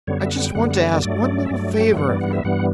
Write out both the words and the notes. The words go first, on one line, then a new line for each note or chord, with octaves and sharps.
"I just want to ask one little favor of you."
F#2 D3 G3 B3 C#5
E5
F#5
G5
F#2 D3 G3 B3 F#5
F#5
D5
G2 F#3 A3 D5
E5
G2 F#3 A3 D5
G5
G2 E3 G3 B3 F#5
D5
F#5
E5
G2 E3 G3 B3 F#5